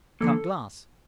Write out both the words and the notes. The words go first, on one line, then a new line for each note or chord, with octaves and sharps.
Cut glass.
D3 F3 A#3 A4